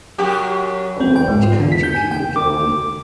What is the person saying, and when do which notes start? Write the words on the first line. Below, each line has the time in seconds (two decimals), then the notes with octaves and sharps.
Oh God, can't you keep it down?...
0.18 F#2 F#4 G4
1.00 C4
1.16 G5
1.28 G#2
1.42 F4
1.59 D3
1.72 B6
1.83 G6
1.95 G#5
2.11 G5
2.36 D6